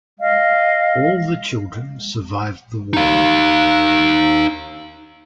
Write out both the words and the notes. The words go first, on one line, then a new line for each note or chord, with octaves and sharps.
All the children survived the war.
D#5 F5
D#4 F5